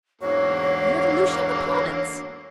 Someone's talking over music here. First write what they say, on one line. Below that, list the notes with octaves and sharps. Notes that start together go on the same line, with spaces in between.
The revolution of the planets.'
E2 G#2 D3 E3 A#3 F#4 C#5